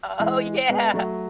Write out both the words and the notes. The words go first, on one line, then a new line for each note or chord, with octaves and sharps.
Oh yeah,
E3 G#3
G#3 B3
F#3 A3